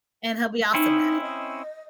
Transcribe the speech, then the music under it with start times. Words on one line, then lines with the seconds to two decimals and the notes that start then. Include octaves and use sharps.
and he'll be awesome at it.
0.74 C4 C#4 D#4 E4
1.21 D#5